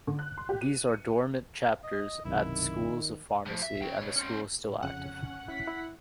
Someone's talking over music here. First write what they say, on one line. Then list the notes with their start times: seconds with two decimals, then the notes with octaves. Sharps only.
These are dormant chapters at schools of pharmacy, and the school is still active.
0.07 D3
0.19 F#6
0.38 C6
0.49 G4
0.61 D#7
0.89 C#7
1.84 D#5
2.25 B1 F#2 C3 D#3 E4
3.46 A2 F3
3.62 E5
3.82 C#4 G5
3.98 B2 C#5
4.16 C4 C#4
4.64 A2
4.83 F2 C#3 C#4 F#5
5.48 E4 B6
5.67 E4 E5